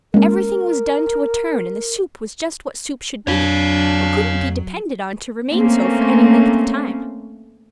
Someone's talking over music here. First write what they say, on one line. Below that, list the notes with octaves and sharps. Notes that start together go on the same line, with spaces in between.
Everything was done to a turn and the soup was just what soup should be, but couldn't be depended on to remain so for any length of time.
G#3 A#3 C#4 A#4
F2 F#3 D4 C#5 F5
A3 A#3 C4 C#4